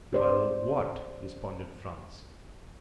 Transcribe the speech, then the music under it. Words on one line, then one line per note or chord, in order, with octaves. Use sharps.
"Well--what?" responded Franz.
G4 C5 D5